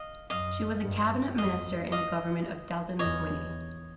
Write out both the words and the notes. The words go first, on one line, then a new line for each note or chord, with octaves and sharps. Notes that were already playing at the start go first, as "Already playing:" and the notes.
She was a cabinet minister in the government of Dalton McGuinty.
Already playing: D#5 F5
F#2 D#5 F5
G2
F2 D#5 F5
D#5 F5
E2 C#5 D#5